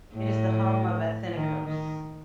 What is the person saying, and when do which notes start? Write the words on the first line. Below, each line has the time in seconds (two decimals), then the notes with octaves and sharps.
It is the home of Athinaikos.
0.14 A2
1.36 D#3
1.66 D#3